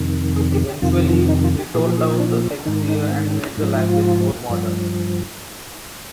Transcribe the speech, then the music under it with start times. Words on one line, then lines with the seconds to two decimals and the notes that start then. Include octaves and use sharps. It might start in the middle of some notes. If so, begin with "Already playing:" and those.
Eventually, he toned down the Shakespeare and made the language more modern.
Already playing: F2 C3 D#3
0.36 G#4
0.52 G4
0.67 G4
0.82 F2 C3 D#3 F4
1.06 F4
1.29 D#4
1.44 F4
1.59 G4
1.74 A#2 G#4
1.79 F3
1.85 G4
1.97 G#4
2.09 D#4
2.20 D4
2.36 A#3
2.50 D4
2.65 G#2 D#3 D#4
2.88 D#4
3.11 C4
3.27 D4
3.43 D#4
3.57 G#2 D#4
3.61 F3
3.73 D#4
3.89 F4
4.49 G2 F3